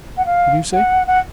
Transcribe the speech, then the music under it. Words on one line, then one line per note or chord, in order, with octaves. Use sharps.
"What did you say?"
F#5
F5
F#5
F#5